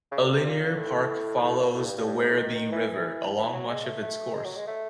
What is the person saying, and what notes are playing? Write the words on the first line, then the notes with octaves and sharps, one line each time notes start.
A linear park follows the Werribee River along much of its course.
C#3
D3
C3
A#2
A#2
A2
A2
A#2
A2
G2
G2
G2
G#2
A2
D#3
D#3
E3
E3
E3
F#3
G#3
A3
A3
G#3
F#3
G#3
A3